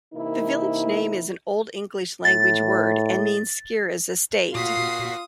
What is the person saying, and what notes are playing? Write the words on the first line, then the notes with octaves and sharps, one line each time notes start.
The village name is an Old English language word, and means 'Scira's estate'.
C3 E3 A#3 D#4 E4 A#4
A2 A6
A#2 F4 F#4 D#6 B6 C7